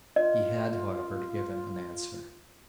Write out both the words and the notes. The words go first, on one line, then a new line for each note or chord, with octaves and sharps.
He had, however, to give him an answer.
F4 D#5